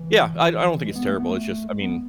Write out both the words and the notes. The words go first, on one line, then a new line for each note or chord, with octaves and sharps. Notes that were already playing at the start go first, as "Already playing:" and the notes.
Yeah. I I don't think it's terrible. It's just I mean,
Already playing: E3
G#3
B3
A3
B3
A3
G#3
B3